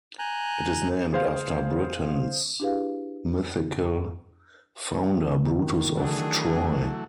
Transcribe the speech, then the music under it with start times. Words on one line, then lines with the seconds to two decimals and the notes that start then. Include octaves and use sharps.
It is named after Britain's mythical founder, Brutus of Troy.
0.19 G#5 A#5 F#6 G6
1.13 G#4 C5 F5
2.60 D4 E4 G4 G#4 B4 F5
5.50 D#3
5.97 E3 F#3 A3 D4 G#4